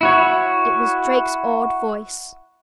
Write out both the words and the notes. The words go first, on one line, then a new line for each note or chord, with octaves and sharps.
It was Drake's awed voice.
E4 F#4 C#5